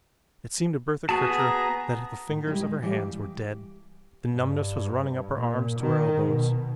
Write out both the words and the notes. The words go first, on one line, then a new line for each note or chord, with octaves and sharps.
It seemed to Bertha Kircher that the fingers of her hands were dead. The numbness was running up her arms to her elbows.
B3 F#4 G#4 A5
A#5
A2
G3 G#3 A#3 E4
G#3
E3 G3 F5
G2
A#2
D#3
B2